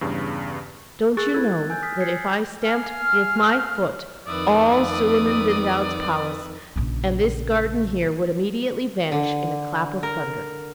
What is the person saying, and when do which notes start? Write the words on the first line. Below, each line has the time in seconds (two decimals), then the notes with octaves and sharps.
Don't you know that if I stamped with my foot all Suleiman-bin-Daoud's Palace and this garden here would immediately vanish in a clap of thunder.'
0.01 E2 G2 C#3
1.17 G#4 C#6 E6 F#6 A6
1.34 E4 A4 G#6
1.70 G#5 E6 G6
1.83 D#6 F6 B6
2.01 G#6 C7 C#7
2.63 F5 G#5 F6
4.27 F2 D#3 B4 D5 E5 D#6
6.76 A#1 C#3
9.12 D3
10.03 A#4